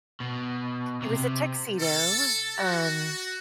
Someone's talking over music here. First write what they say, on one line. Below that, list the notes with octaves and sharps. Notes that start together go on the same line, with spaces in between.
It was a tuxedo, um
B2
C3
A4
F#4